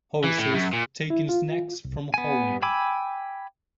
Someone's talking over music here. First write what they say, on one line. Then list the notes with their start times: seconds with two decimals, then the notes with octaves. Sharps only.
Horses taking snacks from owner.
0.24 E3
0.38 A2
0.54 F#2
0.73 A#2
1.10 E4
1.29 F4
1.85 C2
2.14 B3 G#5
2.62 G5 G#5 B5 D6 E6